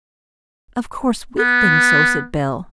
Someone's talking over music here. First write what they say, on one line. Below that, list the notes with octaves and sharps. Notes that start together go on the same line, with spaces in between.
"Of course we think so," said Bell.
B3